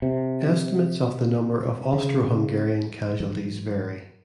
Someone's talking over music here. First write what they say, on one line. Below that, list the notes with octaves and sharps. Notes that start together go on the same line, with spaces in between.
Estimates of the number of Austro-Hungarian casualties vary.
C3
C#3
G#2 E3 F#3